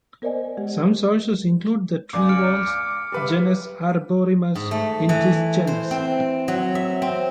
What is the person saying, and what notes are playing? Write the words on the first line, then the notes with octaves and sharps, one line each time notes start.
Some sources include the tree voles, genus "Arborimus", in this genus.
B3 A#4 C5 D5 D#5 G#5
G#3 G4
C#2 D5 G#5 D6
F6 C#7 D7
D6
G3 B4 E5
G#2
A3
E3
C5
C4
F#3
E5
C4